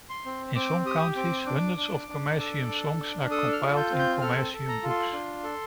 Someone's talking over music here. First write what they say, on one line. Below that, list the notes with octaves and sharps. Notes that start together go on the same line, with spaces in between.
In some countries, hundreds of commercium songs are compiled in commercium books.
C6
C4
C4 D6
G4 D#6
C4 D6
D4 D6
D4
D4
A4
D4
D4
A4 D#6
F6
F4
G6
C4
G6
A4 F6
A4
A#5
F4
C6
D4
A4